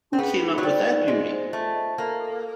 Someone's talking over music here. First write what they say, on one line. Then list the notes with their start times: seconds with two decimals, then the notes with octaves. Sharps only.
Who came up with that beauty?
0.13 C4
0.18 B3 G#4
0.41 D#4
0.58 F#3
0.63 G3 C5
0.86 D#4
1.08 G#3 G#4
1.30 C5
1.53 A3 F4
1.75 D#5
1.98 A#3 A4
2.20 A4